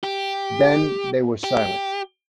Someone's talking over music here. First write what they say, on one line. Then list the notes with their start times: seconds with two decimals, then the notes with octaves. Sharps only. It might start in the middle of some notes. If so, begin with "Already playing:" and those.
Then they were silent.
0.04 G4
1.44 G4